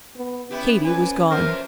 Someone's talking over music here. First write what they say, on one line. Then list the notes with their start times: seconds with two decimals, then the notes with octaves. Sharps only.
Katy was gone.
0.16 B3
0.51 B3 C#4 E4 G4
0.84 F2 B4 G#5
1.31 F#2 F3 A#4 C5